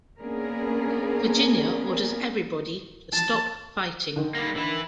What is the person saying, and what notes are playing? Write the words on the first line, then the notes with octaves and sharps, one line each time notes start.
Virginia orders everybody to stop fighting.
A#3 B3 C#4 D4 G#4 A#4
A5
D3 D#3
G3 A#3
E3 E4